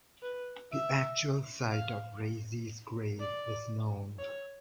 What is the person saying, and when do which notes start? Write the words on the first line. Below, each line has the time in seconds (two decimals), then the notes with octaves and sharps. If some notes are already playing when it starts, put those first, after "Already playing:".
The actual site of Reizei's grave is known.
0.22 B4
0.72 E5
1.71 F5
3.20 D5
4.19 C#5